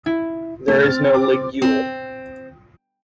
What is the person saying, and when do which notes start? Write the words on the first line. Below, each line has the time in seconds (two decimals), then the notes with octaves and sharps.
There is no ligule.
0.06 E4
0.68 A3
0.83 C4 F6 A6
1.14 D6
1.62 C4